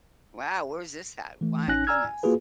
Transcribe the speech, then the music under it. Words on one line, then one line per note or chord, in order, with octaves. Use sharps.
Wow, where's this at? My goodness.
E3 A3
A1 C#4 D#4 G#5 F#6 A#6
D5 G#5 A#5 E6 F6 G#6
G#5
A#3 F4 F#4 G#4 B4